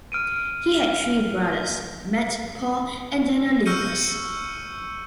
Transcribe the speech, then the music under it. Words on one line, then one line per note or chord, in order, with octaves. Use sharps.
He had three brothers: Matt, Paul, and Daniel Linkous.
F6 D7 D#7
C#6 E6 F6 G6 C#7 D#7